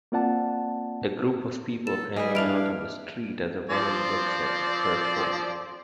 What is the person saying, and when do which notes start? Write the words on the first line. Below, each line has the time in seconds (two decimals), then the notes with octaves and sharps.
A group of people hanging out on the street as a woman looks at her phone.
0.12 A#3 C4 F4 D5 F#5 A5
1.87 A4 E7
2.16 G3 G#4 B4 D#5 G#5
2.35 D4 E4 F5 D7 F7
3.69 F3 C4 D5